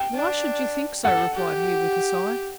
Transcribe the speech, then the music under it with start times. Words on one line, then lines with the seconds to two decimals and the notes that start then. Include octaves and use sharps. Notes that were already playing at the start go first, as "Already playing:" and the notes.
"Why should you think so!" replied he, with a sigh.
Already playing: G5
0.14 D4
1.04 A4 F#5
1.34 G4